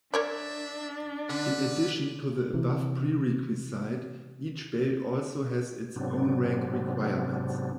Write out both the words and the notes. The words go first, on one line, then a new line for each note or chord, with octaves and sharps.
In addition to the above prerequisite, each belt also has its own rank requirements.
D4 A#4 C#5 D5 E5
D3 B4
C3 E3
G#2 C3 F#3 B3 C4 D4